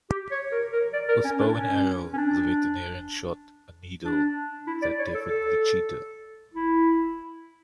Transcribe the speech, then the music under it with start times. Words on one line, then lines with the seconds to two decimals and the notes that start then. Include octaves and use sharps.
With bow and arrow the veterinarian shot a needle that deafened the cheetah.
0.10 G4
0.31 C#5
0.52 A#4
0.72 A#4
0.93 D5
1.09 A#4
1.25 C#4
1.40 D4
1.56 C#4
2.13 C#4
2.17 D4
4.05 D4
4.67 E4
4.82 D5
4.99 C#5
5.14 A4
5.30 A4
6.54 E4